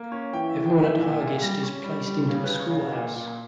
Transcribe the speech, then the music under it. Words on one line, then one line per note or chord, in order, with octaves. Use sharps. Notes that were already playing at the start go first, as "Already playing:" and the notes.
Everyone at Hargest is placed into a school house.
Already playing: A#3
C#4
E3 G5
E5
E3
G5
G#2
E5
A#2 E5
A#2
G3
C#4
G3
G3
C#3 C#5
B4
C#3
C#5
C#3
A#2
A#2